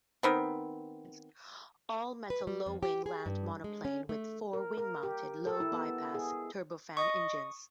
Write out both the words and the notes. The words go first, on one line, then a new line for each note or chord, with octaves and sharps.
All-metal low-wing land monoplane with four wing-mounted low-bypass turbofan engines.
D#3 B3 C4
B4
G3
F2
G4
G#4
G2
G#3
C#4
A3
A#4
A#4
G4
A4
E4
B3
G#4
D#5 C#6 D#6